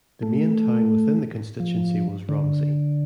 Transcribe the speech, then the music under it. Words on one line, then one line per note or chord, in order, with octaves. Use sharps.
The main town within the constituency was Romsey.
A3
F3
D3